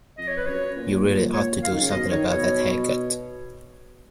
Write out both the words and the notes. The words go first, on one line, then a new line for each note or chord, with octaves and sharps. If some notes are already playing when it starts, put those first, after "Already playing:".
You really ought to do something about that haircut.
F2 D#5
C#5
B4
F#2 C#5
A#2
C#5
F5
D#3
C#3
B2 D#5
D#3 C#5
B2 C#5